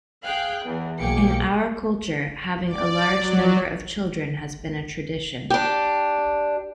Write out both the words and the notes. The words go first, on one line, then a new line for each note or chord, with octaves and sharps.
In our culture, having a large number of children has been a tradition.
G#4 F5 G5 F#6
E2 E3
B1 A#3 G#4 G5 D6 C#7
D5
F#3
D4 G4